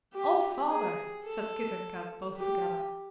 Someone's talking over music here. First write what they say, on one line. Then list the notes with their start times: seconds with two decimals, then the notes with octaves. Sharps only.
"O Father!" said Kit and Kat both together.
0.13 G4
0.69 G#4
1.24 A4
2.36 G4